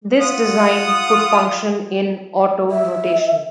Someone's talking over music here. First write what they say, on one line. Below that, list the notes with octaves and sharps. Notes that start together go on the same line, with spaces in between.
This design could function in autorotation.
F4 F#5 D#6
E5